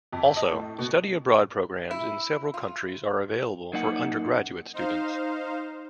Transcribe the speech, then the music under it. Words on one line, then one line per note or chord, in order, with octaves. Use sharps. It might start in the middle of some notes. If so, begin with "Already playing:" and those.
Also, study abroad programs in several countries are available for undergraduate students.
F2
D#5
A2
B2
E4
F4
F#2 A#3 D#4 F#5
D#4 C5 F5